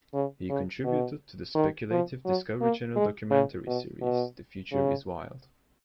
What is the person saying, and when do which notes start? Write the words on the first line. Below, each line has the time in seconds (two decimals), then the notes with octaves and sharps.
He contributed to the speculative Discovery Channel documentary series "The Future Is Wild".
0.14 C#3
0.49 C#3
0.84 B2
1.55 D#3
1.90 F3
2.25 F#3
2.61 A#3
2.96 G#3
3.31 C#3
3.67 B2
4.02 B2
4.72 C#3